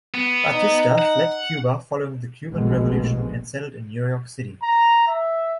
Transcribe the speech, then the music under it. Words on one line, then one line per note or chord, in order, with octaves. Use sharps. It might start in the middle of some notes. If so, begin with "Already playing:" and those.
Batista fled Cuba following the Cuban Revolution and settled in New York City.
B3
D#4
F#5
F1 A#1 B2 G#3
A#5
E5